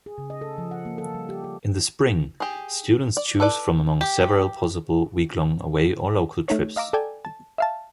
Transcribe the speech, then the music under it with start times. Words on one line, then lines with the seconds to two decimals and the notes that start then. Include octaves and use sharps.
In the spring, students choose from among several possible weeklong away or local trips.
0.06 G#4
0.18 C#3
0.30 D#5
0.41 A4
0.58 F3
0.71 F#5
0.85 A#3
0.98 A4
1.14 G3
1.29 G4
1.44 A4
2.40 G4 G#4
3.17 D5
3.40 A4 B4 D5
4.01 G4
6.48 A3 D#4 C#5
6.76 D#5 F5 A#5 D6 E6
6.93 A4 D5 G5 G#5
7.25 A5
7.58 E5 F5 A5